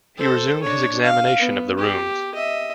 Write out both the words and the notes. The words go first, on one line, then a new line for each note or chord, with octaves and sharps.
He resumed his examination of the rooms.
A4 C5
D4 C#5
F5
B3
G4
D#5 E5